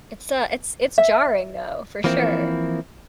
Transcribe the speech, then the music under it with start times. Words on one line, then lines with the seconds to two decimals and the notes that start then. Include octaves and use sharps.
It's, uh, it's it's jarring, though, for sure.
0.98 E5
2.04 E3 F3 A#3 C4 E4